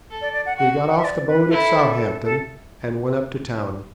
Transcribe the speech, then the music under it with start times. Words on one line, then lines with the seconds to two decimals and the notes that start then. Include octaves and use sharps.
We got off the boat at Southampton, and went up to town.
0.11 A4
0.21 D5
0.33 D5
0.46 F#5
0.57 F#4 F#5
0.88 F#5
0.98 E5
1.04 D5
1.27 B4
1.43 B4
1.51 E4 A4
2.24 A4